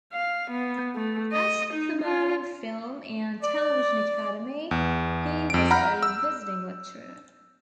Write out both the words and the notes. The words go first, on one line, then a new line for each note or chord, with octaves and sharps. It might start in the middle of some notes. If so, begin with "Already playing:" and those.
At the Berlin Film and Television Academy he was a visiting lecturer.
F5
B3
A3
D#5
D#4
F4
D5
E2
F2 D7
F#5 A#5 B5 F6 G6
E6